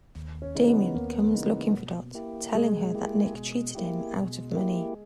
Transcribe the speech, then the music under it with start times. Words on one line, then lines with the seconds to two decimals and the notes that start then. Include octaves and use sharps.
Damion comes looking for Dot, telling her that Nick cheated him out of money.
0.16 D#2
0.42 C#4
0.55 C#3 E3 G#3 D#4
0.68 B3
0.95 D#2 A#3
1.35 C#3 E3 G#3 D#4
1.74 B2
2.15 A#3 E4 G4
2.55 B2 G#3
2.95 A#3 E4 G4
3.34 B2
3.75 A#3 E4 G4
4.14 B2
4.54 A#3 E4 G4